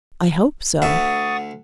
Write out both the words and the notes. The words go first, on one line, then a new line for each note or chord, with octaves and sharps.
"I hope so."
D2 E5 F#5 C#6 D#6 A6